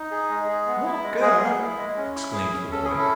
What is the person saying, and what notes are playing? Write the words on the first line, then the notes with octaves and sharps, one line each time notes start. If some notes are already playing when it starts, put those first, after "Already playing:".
"Walk-ER!" exclaimed the boy.
Already playing: D#4
G#4
G#3
G#4
B3
E4
G#3
G#4
B3
E4
G#3
C#4
E4
G#4
C#4
C#4 A4
E4 G#4
A4